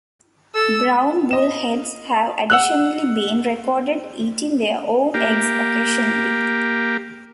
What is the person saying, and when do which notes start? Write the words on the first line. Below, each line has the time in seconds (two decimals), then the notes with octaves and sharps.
Brown bullheads have additionally been recorded eating their own eggs occasionally.
0.55 A4 E6
1.31 D#5 E7
2.50 F#5 E6 F#6
5.14 A#3 G4